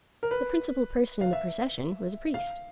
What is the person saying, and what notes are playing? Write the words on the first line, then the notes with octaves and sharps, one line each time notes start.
The principal person in the procession was a priest.
A#4
B4
F5
E5
F5